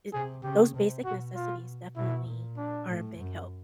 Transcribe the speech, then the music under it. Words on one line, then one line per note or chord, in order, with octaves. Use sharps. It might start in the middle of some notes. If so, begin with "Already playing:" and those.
it those basic necessities definitely are a big help.
C3 G#4
C#3 G4
C3
B2 F#4
F4
B2 E4
A#2
D4
A2
F#2